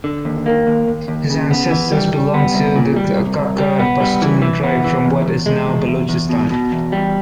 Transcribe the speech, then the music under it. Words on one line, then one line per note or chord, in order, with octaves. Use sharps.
His ancestors belonged to the Kakar Pashtun tribe from what is now Balochistan.
D3
D#2
A#3
D#2
D#2
D#2
C#3
B3
E3
G3
G3
B3
C2
A#2
G3
C2
C2
G3
B3
G3
E3
E3
B3
E3
E2
E2
G#3
E2
E2
E2
B2
B2
E2
G3